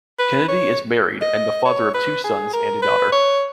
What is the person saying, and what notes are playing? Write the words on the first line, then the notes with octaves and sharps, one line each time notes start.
Kennedy is married and the father of two sons and a daughter.
B4
C#5
D#5
C#5
B4
G#4
A#4
B4
C#5